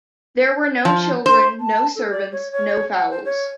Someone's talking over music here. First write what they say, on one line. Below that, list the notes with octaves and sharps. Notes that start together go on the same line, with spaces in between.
There were no children, no servants, no fowls.
F3
C5
A5
A4
D5
C#5
C#5
F#5
C5
C#5